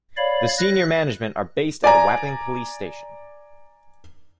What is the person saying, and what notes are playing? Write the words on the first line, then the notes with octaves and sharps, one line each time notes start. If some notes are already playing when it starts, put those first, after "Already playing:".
The senior management are based at Wapping police station.
C#5 D5 F5 B5
F#6 A#6
D5 G#5 A#5